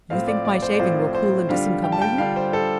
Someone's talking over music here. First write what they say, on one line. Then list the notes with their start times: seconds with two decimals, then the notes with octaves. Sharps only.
You think my shaving will cool and disencumber you?
0.10 A2 F3 C4 F4 F5
0.28 D5
0.45 D5
0.62 C5
0.74 D5
0.80 A2 F3 C4 F4 C5
1.15 C5
1.49 D3 G3 D4 F4 F5
1.84 G5
1.92 A5
2.02 G5
2.18 D3 G3 D4 F4 F5
2.36 C5
2.53 A4